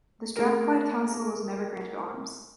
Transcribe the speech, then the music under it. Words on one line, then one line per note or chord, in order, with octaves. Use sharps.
The Strathclyde council was never granted arms.
A3 G#4 A#4